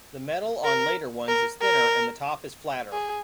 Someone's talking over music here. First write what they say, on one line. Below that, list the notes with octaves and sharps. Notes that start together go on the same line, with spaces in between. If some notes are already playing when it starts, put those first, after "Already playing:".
The metal on later ones is thinner and the top is flatter.
A#4
A#4
A#4
G#4